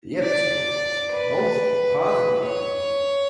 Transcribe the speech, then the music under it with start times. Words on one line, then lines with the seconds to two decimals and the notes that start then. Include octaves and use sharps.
The episode received mostly positive reviews.
0.23 D5
1.12 B4
2.02 B4
2.46 C#5